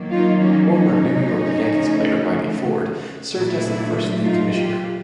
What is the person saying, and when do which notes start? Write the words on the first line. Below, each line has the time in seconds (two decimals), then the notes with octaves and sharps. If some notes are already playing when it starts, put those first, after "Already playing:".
Former New York Yankees player Whitey Ford served as the first league commissioner.
Already playing: D#3 F#3 A#3
0.10 D#4 F4
0.40 C#4 D#4
0.69 C#4 D#4
1.58 C#3 F3 A3
3.34 A#2 F#3 A3 D4 E4
4.23 D#4 F4
4.53 F4 G4